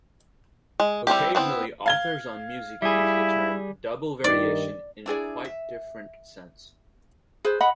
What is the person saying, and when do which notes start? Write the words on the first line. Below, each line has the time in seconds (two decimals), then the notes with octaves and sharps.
Occasionally, authors on music use the term "double variation" in a quite different sense.
0.80 G#3
1.07 G3 C4 E4 G4
1.35 B3 C4 D4 E4
1.86 F5 G#6 G7
2.82 G3 E4 G#4
4.24 G2 D#3 D5
5.06 D4 E4 G#4 D5
5.45 E5
7.45 G#4 B4 C5
7.61 D#5 F#5 B5